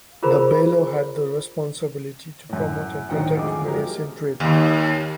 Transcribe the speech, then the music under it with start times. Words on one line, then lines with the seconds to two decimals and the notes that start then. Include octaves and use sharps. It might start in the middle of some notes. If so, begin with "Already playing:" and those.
The "bailo" had the responsibility to promote and protect Venetian trade.
0.23 F4 G#4 A#4 C5 A#5 B5
2.49 F#2 A2
3.09 D2 A2 D#3 F#3 F#5 G5
3.37 G#1 F2 G#4 D6
3.65 F3 F#3 G#3 G4 A#4
4.40 D#2